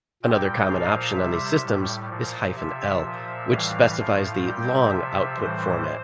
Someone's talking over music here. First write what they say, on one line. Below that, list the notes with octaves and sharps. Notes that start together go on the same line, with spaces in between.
Another common option on these systems is -l, which specifies the "long" output format.
A#2 G3 G5
A#2 F3 F5
C3 G3 E5
A2 G3
A#2 F3
C3 F3 E5
A#2 F3
A2 E3 G3 F5
A2 F3
A#2 G3 G5
C3 F3 E5
A2 E3 G3 C5